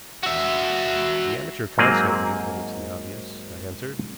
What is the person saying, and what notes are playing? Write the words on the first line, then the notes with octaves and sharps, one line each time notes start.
"The amateur constantly overlooks the obvious," I answered.
F#4 E5
G#2 F#3 A#3 C4 G#4